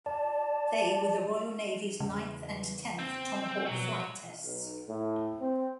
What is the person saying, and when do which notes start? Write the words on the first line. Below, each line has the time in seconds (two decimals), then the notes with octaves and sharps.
They were the Royal Navy's ninth and tenth Tomahawk flight tests.
0.06 D5 A5
2.00 E2 C#3
2.99 C4
3.66 B2 F3 F#3
4.43 B1
4.87 A2
5.40 C4